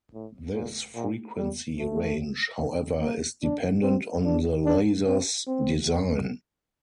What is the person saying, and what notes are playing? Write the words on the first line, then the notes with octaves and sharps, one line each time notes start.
This frequency range however is dependent on the laser's design.
A2
A#2
A#2
G3
A3
A#3
D4
C4
D4
D4
C4
C4